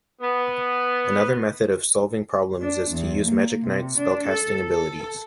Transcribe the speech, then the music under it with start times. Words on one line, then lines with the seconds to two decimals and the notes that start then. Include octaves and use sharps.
Another method of solving problems is to use Magic Knight's spellcasting abilities.
0.21 B3
2.61 D4
2.91 E2
3.26 A#3
3.65 C3
3.97 D4
4.28 A4
4.69 A4